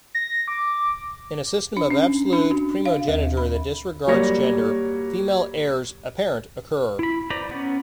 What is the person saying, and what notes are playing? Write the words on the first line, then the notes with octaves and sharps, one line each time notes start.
In a system of absolute primogeniture that disregards gender, female heirs apparent occur.
A#6
D6
D4
C#4
D4
F#4
F5
D#2
B5
F#3 G3 A#3 C#5 A#6
E4 B5
B4 C5 D5 A#5 B5
B3 C#4